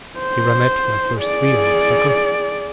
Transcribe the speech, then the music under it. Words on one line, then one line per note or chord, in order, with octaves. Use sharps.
Here I met my first real obstacle.
C5
G#4 D5